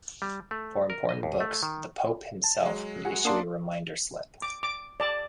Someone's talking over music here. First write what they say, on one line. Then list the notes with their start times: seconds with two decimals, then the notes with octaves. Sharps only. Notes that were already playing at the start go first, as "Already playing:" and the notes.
For important books, the pope himself would issue a reminder slip.
0.22 G3
0.51 A3
0.90 A#4
1.09 D#5
1.23 D#2
1.40 A3
1.63 D#3
2.44 A5
2.63 F#3 G#3
3.05 F#4 G#4 F#5
3.25 A#3 D4 D5 C6 D#6
4.42 D6
4.63 D6
5.00 D5 A5